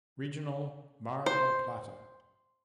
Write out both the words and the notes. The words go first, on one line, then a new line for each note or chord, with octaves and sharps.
Regional Mar del Plata.
C5